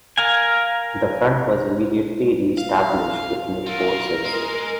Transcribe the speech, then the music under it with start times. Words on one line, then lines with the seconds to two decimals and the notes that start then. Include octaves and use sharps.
The Front was immediately re-established with new forces.
0.18 A#4 F5 G#5
2.58 F5
3.67 D3 F4 A#4
4.25 G#3